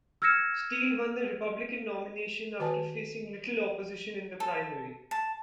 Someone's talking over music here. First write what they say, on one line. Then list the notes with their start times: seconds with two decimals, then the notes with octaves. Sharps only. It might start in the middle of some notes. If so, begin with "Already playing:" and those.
Steele won the Republican nomination after facing little opposition in the primary.
0.22 E6 F6 G#6 A#6 C#7 E7
2.60 D#3 F#4 B4 G#5 A5
4.40 A4
5.11 A5